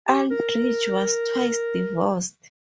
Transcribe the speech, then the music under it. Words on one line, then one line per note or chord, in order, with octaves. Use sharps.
Aldridge was twice divorced.
G4
A#4